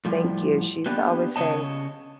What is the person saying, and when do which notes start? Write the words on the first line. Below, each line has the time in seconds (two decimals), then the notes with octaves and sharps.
Thank you. She used to always say,
0.05 A2 F3 G3
0.86 A#3 B3 D4 G4 B4
1.36 C#3 C#5 D#5 A5